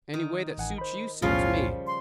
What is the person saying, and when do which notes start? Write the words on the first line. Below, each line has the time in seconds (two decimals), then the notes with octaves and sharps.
Any way that suits you suits me.
0.14 D#3
0.58 A1 F#5 G#5
0.78 C5 B5
1.22 B1 E2 A2 C#3 F3 G3 C#4 F4
1.85 C6